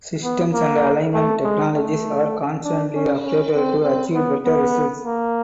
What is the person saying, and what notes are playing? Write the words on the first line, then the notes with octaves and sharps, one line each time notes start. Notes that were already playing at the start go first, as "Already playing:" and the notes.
Systems and alignment technologies are constantly updated to achieve better results.
B3
A#3
A3
G#3
A3
D4
C#4
C#4
C4
C4
B3
B3
A#3